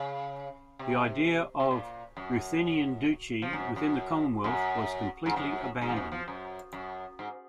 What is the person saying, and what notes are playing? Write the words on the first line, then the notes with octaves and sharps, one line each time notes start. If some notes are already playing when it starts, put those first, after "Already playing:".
The idea of a Ruthenian Duchy within the Commonwealth was completely abandoned.
Already playing: C#3
C3
C3
A#2
F#2
F3
F#2
F#2
F#2
G#2
F#2
G#2
F3
F#2
F3
F#2
F#2
G#2